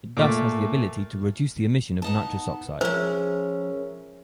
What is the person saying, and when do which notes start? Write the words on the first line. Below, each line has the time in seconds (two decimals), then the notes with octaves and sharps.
It thus has the ability to reduce the emission of nitrous oxide.
0.17 A#2 A3
2.02 B3 D#4 A5
2.81 F3 G#3 C#4 A#4 C5 E5